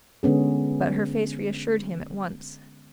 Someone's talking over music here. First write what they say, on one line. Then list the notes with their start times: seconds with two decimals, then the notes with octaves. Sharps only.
But her face reassured him at once.
0.23 D3 G#3 B3 C#4 G#4